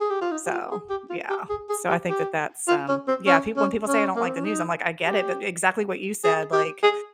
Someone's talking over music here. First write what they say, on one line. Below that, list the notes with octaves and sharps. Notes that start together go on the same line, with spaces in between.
So, yeah. So, I think that that's, um, yeah, pe when people say, "I don't like the news," I'm like, "I get it," but exactly what you said, like,
G#4
G4
F4
D#4
G4
F4
G#4
G4
F4
G4
G#4
G#4
G4
G4
F4
C#4
C4
C#4
C#4
C#4
A#3
C4
C#4
D#4
G4
G#4
G4
G#4